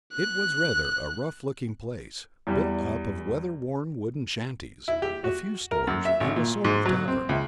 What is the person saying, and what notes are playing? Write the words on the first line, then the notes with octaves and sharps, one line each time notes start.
It was rather a rough-looking place, built up of weather-worn wooden shanties, a few stores, and a sort of tavern.
F#6
E2 G3
E4
G4
F#4
A#4
F#2
E5
G#1
A#2
G#2
F#3
C4
C#2